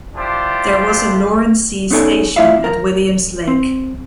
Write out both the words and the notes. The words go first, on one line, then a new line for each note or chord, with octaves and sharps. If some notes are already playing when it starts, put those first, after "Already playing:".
There was a Loran-C station at Williams Lake.
D4 E4 F4 G4 C5
B3 C#4 D#4 A4 D5 G#5
A3 E4 F4 D5 E5 F5
A#4
C4